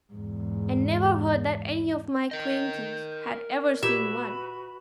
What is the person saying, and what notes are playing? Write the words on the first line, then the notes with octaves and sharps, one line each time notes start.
I never heard that any of my acquaintance had ever seen one.
E2 G#2
A#4 D#5 G6
A#2 F#4 G4 B4 E5 B5 G#6